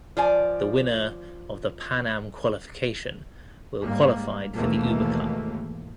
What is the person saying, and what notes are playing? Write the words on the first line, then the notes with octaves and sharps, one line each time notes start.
The winner of the Pan Am qualification will qualified for the Uber Cup.
F3 D5 G#5
G#2 G3 A#3
D#2 G#2 B2 E3 A3 A#3